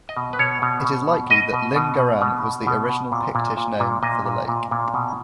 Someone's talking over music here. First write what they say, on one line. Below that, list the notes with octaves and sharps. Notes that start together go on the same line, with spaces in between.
It is likely that "Linn Garan" was the original Pictish name for the lake.
D#5
B2
B4
B2 C#5
B2
B2
B2
B2 D#5
B2
B2
B2
B2
B2
B2
B2
A#2
A#2
A#2
A#2
A#2 D#5
A#2
A#2
A#2
B2